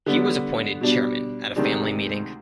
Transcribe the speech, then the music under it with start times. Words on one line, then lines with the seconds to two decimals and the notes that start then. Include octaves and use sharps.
He was appointed chairman at a family meeting.
0.06 D3 G3 B3 D4
0.81 B2 G3 D4
1.56 D2 C3 D#3 G#3 D4